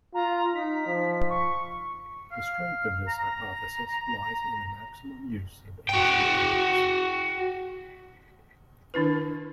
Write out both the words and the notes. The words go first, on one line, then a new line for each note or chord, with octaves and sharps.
The strength of this hypothesis lies in the maximum use of ancient evidence.
F4 A#5
D#4 B6
F3
C#6
F5
A#5
F#4 G5
D#3 D4 E4 B4